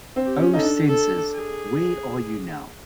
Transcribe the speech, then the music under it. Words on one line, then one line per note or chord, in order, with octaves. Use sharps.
O censors, where are you now?
C4
G4
C#4
D#4 A4
D4
A4
G#4